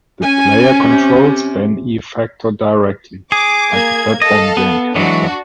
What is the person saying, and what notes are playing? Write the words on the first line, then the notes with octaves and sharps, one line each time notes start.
The player controls Ben E. Factor directly, like a platform game character.
C#4 G#5
C3
G#4 D6
A#3 G#6
A4 D#5 F5
B3
E3 F#3 G#3 D4 F#4